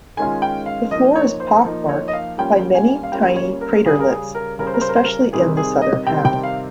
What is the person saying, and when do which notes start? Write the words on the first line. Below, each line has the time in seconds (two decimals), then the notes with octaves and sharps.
The floor is pock-marked by many tiny craterlets, especially in the southern half.
0.17 D#3 G#3 C#4 F4 G#5
0.42 G5
0.66 F5
0.91 F3 A#3 D#4 D#5
1.16 C#5
1.40 C5
1.65 F3 A#3 D#4
1.89 C#5
2.08 D#5
2.13 F5
2.38 G3 A#3 C#4 F4 G5
2.75 G#5
3.03 F5
3.12 G3 A#3 C#4 F4 G5
3.36 C#5
3.61 A#4
3.85 C#3 G3 C#4 G#4
4.00 A#4
4.11 G#4
4.35 A#4
4.59 C#3 G3 C#4 A#4
4.67 C5
4.74 A#4
4.81 C5
4.89 A#4
4.96 C5
5.04 A#4
5.33 C3 D#3 G3 C4 G#4
5.57 G#4
5.82 D#5
6.07 C3 D#3 G3 C4 G5
6.25 G5
6.43 F5